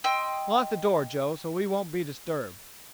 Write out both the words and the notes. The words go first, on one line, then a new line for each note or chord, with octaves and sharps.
Lock the door, Joe, so we won't be disturbed.
D#5 G5 C6 E6